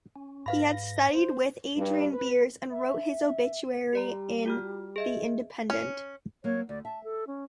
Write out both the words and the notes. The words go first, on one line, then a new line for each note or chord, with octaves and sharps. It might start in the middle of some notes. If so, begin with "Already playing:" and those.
He had studied with Adrian Beers and wrote his obituary in "The Independent".
C#4
G#2 B4 F5 B5 A#6
C5
G2
B4
E5
G3 G4 D5 A#5
F4 F#4 F6
G#4 D#5 E5
C#4
F#3 A#3 C4 C#5
D2 D5
E5 A5
A4
C#4